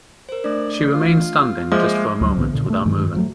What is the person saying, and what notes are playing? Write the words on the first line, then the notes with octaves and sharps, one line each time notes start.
She remained standing just for a moment without moving.
A#4 C5
A3 D4 D5
F4
F3 G#3 A#3 E5 D6
D2 F#3
B1 A2 D3 B3
A#2 D3
A3
G2 D#3 F#3 G#3
F3 F#3 A3